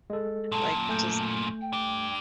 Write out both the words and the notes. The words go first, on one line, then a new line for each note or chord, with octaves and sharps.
like, just
G#3 A4
F#2 A#2 A5
A3 G#5 G6
G5
D4 G4